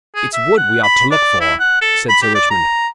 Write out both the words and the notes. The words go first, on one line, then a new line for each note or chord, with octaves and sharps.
"It's wood we ought to look for," said Sir Richmond.
G#4
E5
F#5
B5
D5
E4
F#5
A4
B5
G4
D5
A#5